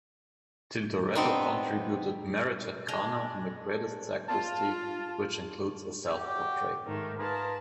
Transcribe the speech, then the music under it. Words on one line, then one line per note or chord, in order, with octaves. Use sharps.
Tintoretto contributed "Marriage at Cana" in the great sacristy, which includes a self-portrait.
B3 C4 D4 D#4
G#3 D4
F4 A5
F#4 G4
G#2 D#3 A3
F4 G#4 A#4 B4 A5